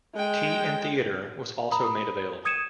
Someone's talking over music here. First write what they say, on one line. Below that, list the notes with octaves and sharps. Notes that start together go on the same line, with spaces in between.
"Tea and Theatre" was also made available.
G#3 G5
A#5 B5 D#6
B5 D#6
D#6 G#6 C#7 D#7 E7